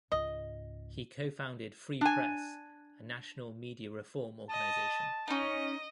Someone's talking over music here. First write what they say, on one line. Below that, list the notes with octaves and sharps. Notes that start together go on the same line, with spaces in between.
He co-founded Free Press, a national media reform organization.
C#2 G#2 D#5
D4 G#5
D#5 A5
C#4 D#4 D#5